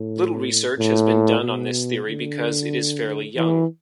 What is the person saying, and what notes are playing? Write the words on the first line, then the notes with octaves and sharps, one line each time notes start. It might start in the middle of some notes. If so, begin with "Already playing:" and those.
Little research has been done on this theory because it is fairly young.
Already playing: A2
A2
B2
D3
E3